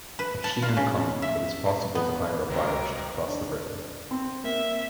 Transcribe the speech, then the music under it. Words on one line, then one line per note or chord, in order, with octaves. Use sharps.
At Chiang Khong it is possible to hire a barge to cross the river.
B4
A5
F4
C#3
E5
B3
C#2 G2 C3 F#3 A#4 G5
D4
C4
A#3 E5